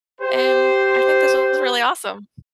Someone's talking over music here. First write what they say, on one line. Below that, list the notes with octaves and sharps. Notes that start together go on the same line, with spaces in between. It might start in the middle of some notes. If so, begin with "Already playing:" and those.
and I think this was really awesome.
G4 C5